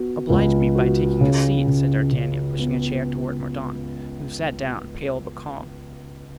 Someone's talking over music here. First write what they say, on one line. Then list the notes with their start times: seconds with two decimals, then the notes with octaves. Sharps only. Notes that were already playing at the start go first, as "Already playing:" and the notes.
"Oblige me by taking a seat," said D'Artagnan, pushing a chair toward Mordaunt, who sat down, pale but calm.
Already playing: B3 F#4
0.30 C#2
0.75 F#4
1.21 C#3
1.67 C#3
2.13 C#3
2.59 B3